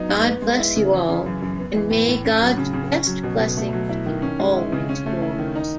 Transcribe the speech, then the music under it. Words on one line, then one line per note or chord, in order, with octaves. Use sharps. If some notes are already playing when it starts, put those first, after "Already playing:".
God bless you all and may God's best blessings be always yours.
Already playing: F#3 B3 D#4
G#2
B3
G#3
E4
C#3
E3
C#3
F#2
F#2
B3
E3
A2
A2
C#4
F#3
C#3
C#3
C#4
F#3
B2
B2
A3
F#3
E4
D#3
C#4
G#3
E4
C#3
C#4
A3
E4
D#3
D#4